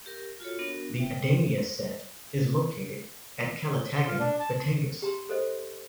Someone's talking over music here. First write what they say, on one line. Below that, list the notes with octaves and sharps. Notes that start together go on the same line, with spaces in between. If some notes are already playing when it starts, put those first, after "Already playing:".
The Adamya set is located at Calatagan, Batangas.
G4 A#4
F4 F#4 A4 C#5
B3 D4 F#4 A#4
E5 G5
C6
F4
D4
A5
G4 A#5 C6
G4 A4 C5 D#5